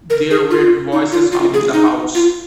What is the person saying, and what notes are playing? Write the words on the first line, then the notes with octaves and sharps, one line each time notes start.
There were voices within the house.
A#4
G#4
F4
D#4
F4
F4
G#4
D#4
F4